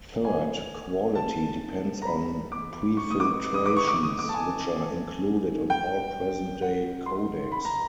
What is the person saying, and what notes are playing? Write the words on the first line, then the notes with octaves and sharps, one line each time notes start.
Third, quality depends on prefiltrations, which are included on all present-day codecs.
G#5
A5
A#5
B5
D6
C#6
D#6
D6
D#6
D6
C#6
D6
D#6
D6
A5
G#5
G5
F#5
C6
B5
A#5